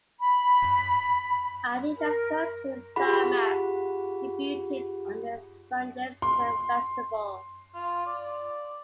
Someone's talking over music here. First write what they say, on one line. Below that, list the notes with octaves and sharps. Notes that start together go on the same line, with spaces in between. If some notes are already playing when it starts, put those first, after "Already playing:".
Arteta's first film, "Star Maps", debuted at the Sundance Film Festival.
B5
A#4
F4 G4 G#4 F#5 B5
C6
F4
D5